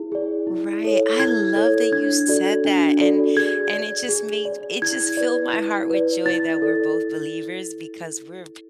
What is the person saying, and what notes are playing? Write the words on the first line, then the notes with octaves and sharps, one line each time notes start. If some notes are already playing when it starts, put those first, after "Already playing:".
Right, I love that you said that and, and it just made it just filled my heart with joy that we're both believers because we're
Already playing: E4 G#4
G#4 D5
E4
A4 C#5
E4 G#6
A4 C#5
D4 G#6
F#4 A4 D5
D4
F#4 A4 D5
G#4 G#6
D5
G#4
D5
E4 G#6
B4 D5
E4
B4 D5
E4 A6
A4 D5